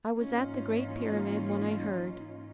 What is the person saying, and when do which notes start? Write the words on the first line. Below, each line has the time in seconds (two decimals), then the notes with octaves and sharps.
I was at the Great Pyramid when I heard.
0.16 G#2 E3 A#3 C#4 D#4 F4